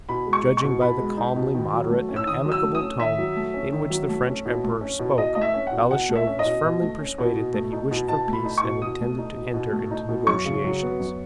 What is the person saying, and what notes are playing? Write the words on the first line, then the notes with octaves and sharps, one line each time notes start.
Judging by the calmly moderate and amicable tone in which the French Emperor spoke, Balashev was firmly persuaded that he wished for peace and intended to enter into negotiations.
B2 B5
G#3
C#6
D#4
C#6
B2
B2 B5
G#3
D#4
B2
D#3
F#3
A3
C#4
E6
D#3 D#6
F#3
E6
A3
D#6
C#4
D#3 E5
F#3
A3
C#4
D#3
F#3
A3
C#4
B2
A3
C#4
B2
B2 D#5
A3 D#5
E5
C#4
F#5
B2
B2 F#5
A3
E5
C#4
D#5
B2
B2
A3
C#4
B2
B2
A3
D#4
B2
B2 A5
A3
B5
D#4
C#6
B2
B2 D#6
A3
D#4
B2
B2
A3
D#4
B2
F#2 C#6
C#3
F#3
B3
F#2